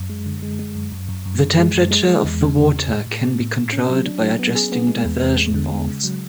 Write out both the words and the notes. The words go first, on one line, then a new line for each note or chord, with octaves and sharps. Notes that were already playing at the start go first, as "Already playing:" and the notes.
The temperature of the water can be controlled by adjusting diversion valves.
Already playing: F#2
G#3
D3
G#3
G#3
F#2
F#2
F#2
F#2
F#2
G#3
F#2
G#3
G#3
E2
C#3
E2
C#3
A2
A2
A2
A2
A2
C#4
F#3
D4
F#3
B3
G#4
B3
G#3
E2
E2
G#3
D3
G#3
C#3
F#3